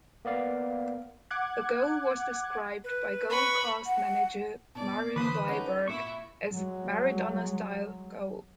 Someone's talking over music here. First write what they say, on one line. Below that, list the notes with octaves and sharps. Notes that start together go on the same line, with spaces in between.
The goal was described by Gold Coast manager Miron Bleiberg as a "Maradona-style" goal.
A#3 B3 D5 F5
F#5 D6 F#6 G#6
B4
B5 C#6
F#5
B2 D5 A5
D3 E3 B4 C5 B5 D6 D#6 F#6
C#4 D#4 G4 A4 F#5
A#2 E4 E5 C#6
F#3 G#3